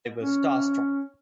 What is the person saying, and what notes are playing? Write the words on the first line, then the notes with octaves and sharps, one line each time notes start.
I was star-struck.
C#4